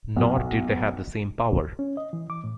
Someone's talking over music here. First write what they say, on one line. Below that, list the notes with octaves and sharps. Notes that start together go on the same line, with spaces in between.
Nor did they have the same power.
B1
C#4
D#5
E3
D6
A2